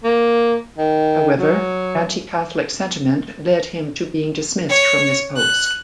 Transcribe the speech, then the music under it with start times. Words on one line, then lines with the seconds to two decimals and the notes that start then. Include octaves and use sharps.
However, Anti-catholic sentiment led to him being dismissed from this post.
0.04 A#3
0.78 D#3
1.38 F#3
4.70 C#5
5.37 F#6